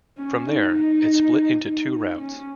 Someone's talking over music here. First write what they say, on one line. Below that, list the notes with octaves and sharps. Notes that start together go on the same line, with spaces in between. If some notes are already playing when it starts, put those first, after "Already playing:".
From there, it split into two routes.
C#4
D#4
D#4
C#4